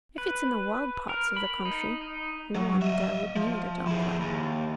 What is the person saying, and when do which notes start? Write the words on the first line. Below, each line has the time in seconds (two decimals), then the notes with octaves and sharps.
If it's in the wild parts of the country, no one there would need a dark well.
0.18 B4
1.09 A#4
1.37 B5
1.65 D#4
2.01 D#4
2.55 F#3
2.82 D#5 E5
3.36 F3
3.87 E4 G#4
4.22 D#2